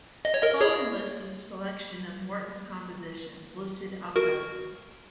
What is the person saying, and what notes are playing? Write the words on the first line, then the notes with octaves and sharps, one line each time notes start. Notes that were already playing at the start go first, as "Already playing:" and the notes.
The folllowing list is a selection of Morton's compositions, listed alphabetically.
D#5
C#5
A#4 D#5
G#4 C#5
F#4 A#4